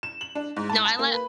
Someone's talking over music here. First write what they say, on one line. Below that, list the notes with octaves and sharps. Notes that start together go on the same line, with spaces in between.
No, I li
E7
F#7
D4
G#2
A5
A5
A#3
B4